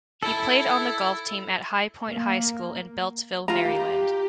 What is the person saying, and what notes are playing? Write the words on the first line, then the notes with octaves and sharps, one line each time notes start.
He played on the golf team at High Point High School in Beltsville, Maryland.
E4 A4
A#3
F4 G4 A#5